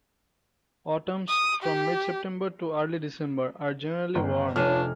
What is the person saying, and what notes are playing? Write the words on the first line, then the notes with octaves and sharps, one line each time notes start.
Autumns, from mid-September to early December, are generally warm.
D#6
G4
G1
F1 D4 F4 B4 C#5 F6 D#7